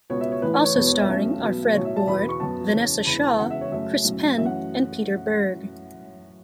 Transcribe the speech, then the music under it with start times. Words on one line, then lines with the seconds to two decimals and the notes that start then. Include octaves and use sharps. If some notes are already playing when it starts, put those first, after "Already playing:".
Also starring are Fred Ward, Vinessa Shaw, Chris Penn, and Peter Berg.
0.10 C#2 B2 B3 C#5
0.21 E5
0.32 C#5
0.42 A1 A2 E3 B4
0.54 C#5
0.65 C#5
0.75 E1 E2 B2 B3 C#5
0.86 C#5
0.98 E5
1.08 B1 B2 A3 C#4
1.42 B1 B2 B3
1.74 B1 A2 F#3 C#5
1.85 E5
1.96 A5
2.07 E2 B2 B3 B5
2.18 B5
2.29 C#6
2.40 F#2 F#3 B3 A5
2.73 E2 C#3 F#3 C#4
3.06 E1 E2 C#3 E3 B5
3.22 A5
3.39 E1 E2 C#3 F#5
3.50 E5
3.61 C#5
3.72 F#2 C#3 A3 C#4 E5
4.05 B1 A2 F#3 C#4
4.38 F#2 E3 A3 C#4 E5
4.46 F#5